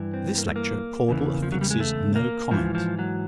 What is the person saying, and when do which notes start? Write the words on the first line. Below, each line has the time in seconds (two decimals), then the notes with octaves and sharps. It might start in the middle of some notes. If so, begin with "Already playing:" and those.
To this lecture, Caudle affixes no comment.
Already playing: G2 E3
0.14 C4
0.38 A#3
0.47 A3
0.56 A#3
1.09 E2 C#3 E3
1.43 F3
1.52 F#3
1.61 G3
1.70 G#3
1.80 A3
2.16 A#3
2.51 G#2 E3 F3
2.75 F3
2.99 F#3